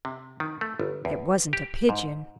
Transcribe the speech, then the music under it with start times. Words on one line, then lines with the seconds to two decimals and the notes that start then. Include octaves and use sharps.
It wasn't a pigeon.
0.05 C3
0.40 D#3
0.61 A3
0.79 G1
1.05 E2
1.53 G4
1.89 G#2